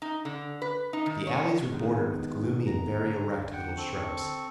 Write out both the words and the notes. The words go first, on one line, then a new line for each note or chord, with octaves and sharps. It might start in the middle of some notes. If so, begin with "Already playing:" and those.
The alleys were bordered with gloomy and very erect little shrubs.
D#4
D3
B4
D#4
D#3
C#5
D#3 G#3 B3
A#5
D3
F#5 G5
C4 A4 C#6